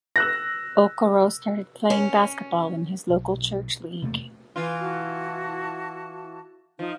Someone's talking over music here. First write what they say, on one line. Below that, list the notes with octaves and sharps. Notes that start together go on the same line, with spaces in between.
Okoro started playing basketball in his local church league.
E6 F#6 A#6
C#4
B1
E1 C3 A3 A#3
E3 F4
E4 F#4 A5
F3 D#4 F4